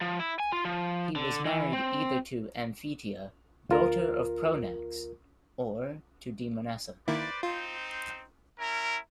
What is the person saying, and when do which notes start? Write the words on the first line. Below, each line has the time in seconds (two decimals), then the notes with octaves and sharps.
He was married either to Amphithea, daughter of Pronax, or to Demonassa.
0.01 F3
0.20 E4
0.40 G#5
0.52 F4
0.65 F3
1.16 D3
1.45 E3
1.73 C4
3.69 D2 F4 A#4
7.08 D#3 A#3 E4 B4 C5 D5
7.43 C4 D#4 F4 C5
8.59 C#4 E4 A#4